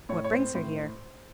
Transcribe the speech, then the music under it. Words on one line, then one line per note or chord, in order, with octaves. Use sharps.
"What brings her here?"
A2 C#5
C#5
C4 C5
A2 C5